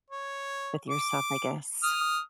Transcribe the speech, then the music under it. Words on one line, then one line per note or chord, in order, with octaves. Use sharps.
with yourself, I guess.
C#5
D6
D#6 F6